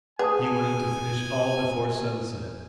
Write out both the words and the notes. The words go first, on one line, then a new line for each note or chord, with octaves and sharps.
He wanted to finish all before sunset.
G#4 B4 G#5 A5 D#6